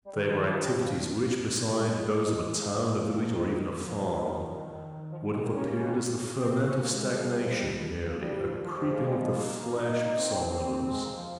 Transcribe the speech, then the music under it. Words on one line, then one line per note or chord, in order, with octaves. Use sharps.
They were activities which, beside those of a town, a village, or even a farm, would have appeared as the ferment of stagnation merely, a creeping of the flesh of somnolence.
G3
D#3
F3
F3
G3
G3
G#3
F3
F3
D#3
D#3
F3
F3
D#3
F3
G3
G#3
A#3
C#4
C4
C4
C#4
A#3
G#3
G3
F3
G#3
G3
F3
G3
F3
G3
G3
F3
D#3
F3
G3
G#3
A#3
D#4
C4
G#3
A#3
F3